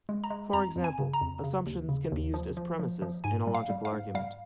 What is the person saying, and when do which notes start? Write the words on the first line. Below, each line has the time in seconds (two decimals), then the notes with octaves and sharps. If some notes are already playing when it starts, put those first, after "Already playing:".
For example, assumptions can be used as premises in a logical argument.
0.09 G#3
0.24 A#5
0.30 G#3
0.53 F2 A#5
0.76 F2
0.84 G#5
0.99 C#3
1.13 A#5
1.21 F2
1.44 C#3
1.67 D#2
1.89 C#3
2.12 D#2
2.34 F3
2.57 F3
2.79 F3
3.02 F3
3.24 G#2 G#5
3.47 G3
3.55 F5
3.70 G3
3.85 F5
3.92 G#2
4.15 G3 F5